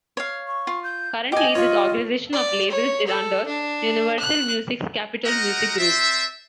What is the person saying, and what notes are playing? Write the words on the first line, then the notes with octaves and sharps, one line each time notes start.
Currently, this organization of labels is under Universal Music's Capitol Music Group.
C#5 F5
C#6
F4
G6
G4 D#5 G#5
F4 C#5
D5
C#5
A4
D4
F#6
D#4 F#4 A#4 D#5 F#5 A#5
C4 C5 D5 E5